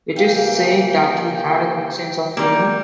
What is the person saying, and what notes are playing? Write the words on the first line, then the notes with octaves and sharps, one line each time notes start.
It is said that he had a good sense of humour.
C#3 E3 A#3 G4 E5 F5 G5
D3 G3 A#3